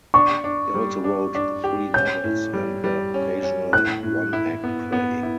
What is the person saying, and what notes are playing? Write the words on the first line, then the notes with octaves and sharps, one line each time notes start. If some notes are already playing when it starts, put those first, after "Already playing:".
He also wrote three novels and the occasional one act play.
D4 C#6
D4
G3
D4
D4
G4
C#4 G6
A2
G3
G3
C#4
C#4
A2 F#6
A2
E4
B3
B3
E4